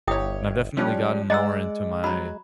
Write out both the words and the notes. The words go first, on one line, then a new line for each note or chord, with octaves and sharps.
And I've definitely gotten more into my,
G1 E4 G4 C#5 G5 D#6
F3 G3 C#4 F#6
G#3 D5 D#5 F#5 A#5 E6
F#3 A#5 B5